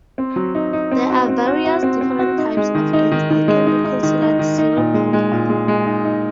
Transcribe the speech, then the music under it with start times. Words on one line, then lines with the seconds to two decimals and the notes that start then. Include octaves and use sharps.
There are various different types of games that can be considered "zero-player".
0.18 C4
0.36 F#3
0.55 D#4
0.73 D#4
0.91 C4
1.10 F#4
1.28 C4
1.46 F#4
1.65 F#4
1.83 C4
2.01 C4
2.19 F#4
2.38 D#4
2.57 G#3
2.75 D#3
2.93 D#4
3.12 D#3
3.30 D#3
3.48 G#3
3.67 D#4
3.84 D#4
4.03 D#3
4.22 D#4
4.39 D#3
4.58 D#4
4.77 A#2
4.94 G#3
5.13 G#3
5.32 A#2
5.50 G#3
5.68 G#3
5.86 D#4
6.05 D#4